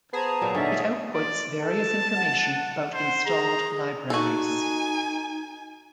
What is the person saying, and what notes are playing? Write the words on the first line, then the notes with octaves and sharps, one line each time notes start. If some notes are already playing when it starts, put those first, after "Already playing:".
It outputs various information about installed libraries.
B3 G#4 C5 A5 A#5
A#2 F#3
D3 C#4 D#4 D5 E5
D5
A4 A5
F#5
C5
G#4 A#5
D#4 F#4 A4 G#5